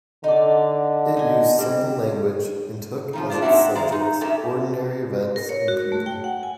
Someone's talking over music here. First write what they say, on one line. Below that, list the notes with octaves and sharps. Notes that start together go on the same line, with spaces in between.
It used simple language and took as its subjects ordinary events and people.
D3 D#4 D5
D#4 G#5
G3 C4
D#3 F3 C4
A#3 D4 F4
C4 C#4 D#4 E4 F#4 E5
D#3 G#3 D5 F5 A#5
D#4
A3 C#4 G4 D#5 E5
A#4
C#5
F#4
A3
G5
F#5
G#5